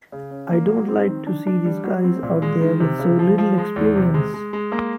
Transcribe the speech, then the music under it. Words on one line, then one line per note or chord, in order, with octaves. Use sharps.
I don't like to see these guys out there with so little experience.
C#3
C#4
A#3
F#3
C4
D#3
D4
D4
G3
F#3
C4
A#2
G#3
D#3
C3
C#3
F3
F3
G#3
E2
C3
G#3
G#3
G#3
A#3